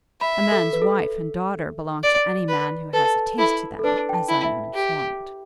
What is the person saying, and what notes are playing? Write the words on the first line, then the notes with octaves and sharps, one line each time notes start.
A man's wife and daughters belong to any man who has a taste to them, as I am informed.
E5 B5
A4
B4
A4
D5
B4
A4 B4
E4 A4
A4
D4 B4
G5
A5
E4
E5
G4